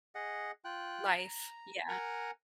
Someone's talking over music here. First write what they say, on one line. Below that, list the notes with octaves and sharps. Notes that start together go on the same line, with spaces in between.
Life. Yeah.
G#4 D#5 F#5
F4 G5 F#6
A#5
A#4 F#5 G#5 A#5